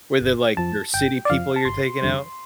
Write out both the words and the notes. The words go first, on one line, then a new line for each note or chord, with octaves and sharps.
Were they, like, your city people you're taking out?
G1
F2 F3 A5
G1 G5
D5
F2 F3 F5
A5
G1 C6
F2 D3 G3